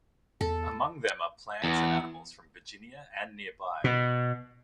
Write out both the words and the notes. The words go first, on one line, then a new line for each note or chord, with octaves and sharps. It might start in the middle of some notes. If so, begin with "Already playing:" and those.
Among them are plants and animals from Virginia and nearby.
E2 A4
E2
B2